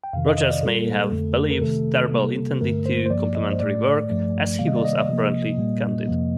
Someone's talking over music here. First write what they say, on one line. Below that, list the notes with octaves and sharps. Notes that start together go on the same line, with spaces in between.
Rogers may have believed Tarbell intended a complimentary work, as he was apparently candid.
G5
F2 C3 D#3 F5
D#5
D#5
D5
A#2 G3 A#3 A4
F2 D3 A3
A#4
C3 D#3 A3 A4
C3 G3 A#3
G2 D3 A3 A#4
C5
C5
G2 F3 A#3 D5
D#5
C5
A2 A3 D5
G2 F3 A3
C3 D#3 G3 A#3 F5
D#5
D5
D#5
C3 F3 A#3
A#2 G3 A#3
F2 C3 F3 A#3